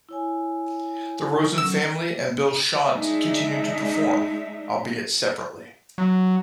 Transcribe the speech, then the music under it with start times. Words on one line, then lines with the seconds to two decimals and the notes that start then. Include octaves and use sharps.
The Rosen Family and Bill Shontz continue to perform, albeit separately.
0.09 E4 C#5 G#5
1.58 F#3 C#4 A4 E6
2.88 G#3 D4 D#4 E5
5.98 F#3